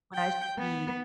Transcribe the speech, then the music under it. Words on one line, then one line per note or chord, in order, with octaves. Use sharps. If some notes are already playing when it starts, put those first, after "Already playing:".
when I should be,
G5
B3